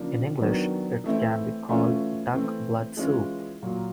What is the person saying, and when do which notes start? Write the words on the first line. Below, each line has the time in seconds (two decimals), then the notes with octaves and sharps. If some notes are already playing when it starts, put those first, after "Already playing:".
In English it can be called "duck blood soup".
Already playing: C#3 F3 A#3 D4 F4
0.41 D#3 F#3 B3 D4
1.04 E3 A3 C4 E4
1.69 E3 A3 C#4 F4
2.34 E3 A3 C4
2.97 E3 G#3 C#4 F4
3.62 A#2 F#3 A#3